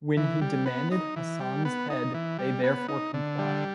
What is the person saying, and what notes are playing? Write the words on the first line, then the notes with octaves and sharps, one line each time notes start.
When he demanded Hasan's head, they therefore complied.
E3
G3
B3
D#4
E3
G3
B3
D#4
E3
G3
B3
D#4
D3
G3